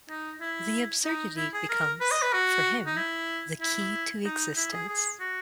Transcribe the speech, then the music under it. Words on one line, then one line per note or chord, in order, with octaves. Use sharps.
The absurdity becomes, for him, the key to existence.
D#4
E4
D#4
E4
G#4
A#4
B4
D#5
B4
F#4
D#4
E4
E4
D#4
E4
G#4
G#4
F#4